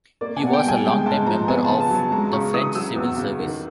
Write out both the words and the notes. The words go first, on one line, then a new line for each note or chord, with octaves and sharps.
He was a long-time member of the French civil service.
A#3 D5
G#5
B2 F#5
G5
G3 G#5
G#3 G5
G#2 A5
F3 A#5
B3 G#5
C#3 A5
A5
F#3
A5
G#3 A#5
C#3 C#6
E3 D#6
F#3 E6
E2
C#3
D#3